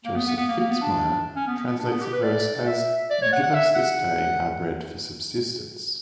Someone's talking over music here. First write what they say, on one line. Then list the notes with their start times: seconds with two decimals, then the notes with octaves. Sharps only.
Joseph Fitzmyer translates the verse as give us this day our bread for subsistence.
0.05 A#3
0.15 B3
0.27 B3
0.37 B3
0.48 A#3
0.60 A#3
0.70 B3
0.82 D4
1.36 C#4
1.47 B3
1.58 B3
1.68 B3
1.79 D4
1.91 B3
2.01 G4
2.13 B4
2.23 D5
2.66 E5
3.11 D5
3.22 C#5
3.33 F#5
3.44 F#5
3.54 E5
3.76 F#5